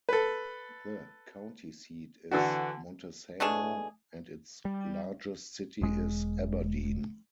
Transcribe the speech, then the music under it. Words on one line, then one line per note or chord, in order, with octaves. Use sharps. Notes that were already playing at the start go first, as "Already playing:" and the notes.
The county seat is Montesano, and its largest city is Aberdeen.
A4 B4
D3 E3 D4 F#4
B2 A3 D4 G#4
G3
E1 G#3